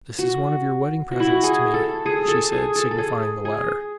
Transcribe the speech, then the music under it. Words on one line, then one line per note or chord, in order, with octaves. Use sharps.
"This is one of your wedding-presents to me," she said, signifying the latter.
F#4
F#4
E4
F#4
G#4
A4
G#4
A4
G#4
A4
A4
G#4
G#4